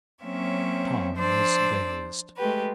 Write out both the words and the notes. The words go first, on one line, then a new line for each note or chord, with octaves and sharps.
Tom was dazed.
F#3 A#3 C4 C#4 E5
F3 D4 C5 D5 E6
G#3 A3 G4 B4